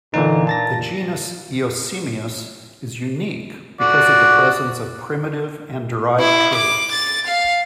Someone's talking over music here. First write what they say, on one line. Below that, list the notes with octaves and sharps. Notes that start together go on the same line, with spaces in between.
The genus "Eosimias" is unique because of the presence of primitive and derived traits.
A#2 D3 E3 D#4
A5 A6 A#6
F#4 D5
E4
D6
A6
F5